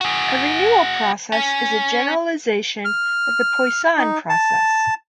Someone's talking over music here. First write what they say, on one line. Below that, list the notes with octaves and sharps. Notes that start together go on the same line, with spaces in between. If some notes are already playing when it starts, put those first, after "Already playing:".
A renewal process is a generalization of the Poisson process.
F#4 G#4
C#4
F6
D#4
A5